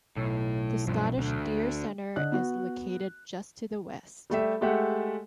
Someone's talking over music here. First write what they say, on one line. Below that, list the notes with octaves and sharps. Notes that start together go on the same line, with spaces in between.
The Scottish Deer Centre is located just to the west.
B1 A2
G2 F3
D2
D3 D#5 F#6
B3 F#4
G3 A3 G4 E5
G#3 A3 G4 E5 F#5